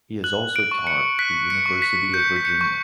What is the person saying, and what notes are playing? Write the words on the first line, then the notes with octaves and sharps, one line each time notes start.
He has also taught at the University of Virginia.
F#6 F#7
D7
C#6
C#7
F#6 B6
C#7
C#6
B6
G6 C#7
B6
C#7
C#6